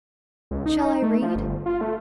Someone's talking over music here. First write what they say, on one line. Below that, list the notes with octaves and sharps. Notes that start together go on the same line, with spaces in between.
Shall I read?
C#2
D#4
A3
F3
G1
F4
A3